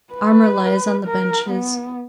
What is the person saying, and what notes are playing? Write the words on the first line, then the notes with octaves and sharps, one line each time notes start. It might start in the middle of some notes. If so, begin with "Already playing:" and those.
Armor lies on the benches.
B4
A#4
B3